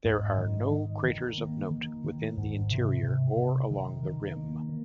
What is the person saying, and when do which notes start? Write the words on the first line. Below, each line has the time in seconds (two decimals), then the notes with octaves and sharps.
There are no craters of note within the interior or along the rim.
0.05 G#2
0.38 D#3
0.71 D#3
1.04 D#3
1.38 A#3
1.71 D#3
2.04 D#3
2.37 G#2
2.71 C3
3.03 C3
3.36 C3
3.70 D#3
4.03 D#3
4.37 A#3
4.69 A#3